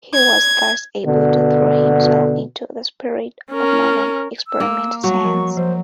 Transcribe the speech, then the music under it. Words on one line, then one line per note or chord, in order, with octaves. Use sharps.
He was thus able to throw himself into the spirit of modern experimental science.
G#6
B2 D3
C#4 A#4
E6
A#3 F5
F#3 G3 C#6
F3 A#4
F3 C5